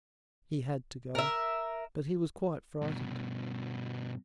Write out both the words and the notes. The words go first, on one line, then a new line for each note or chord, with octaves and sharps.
He had to go, but he was quite frightened.
A#4 E5
G2 B2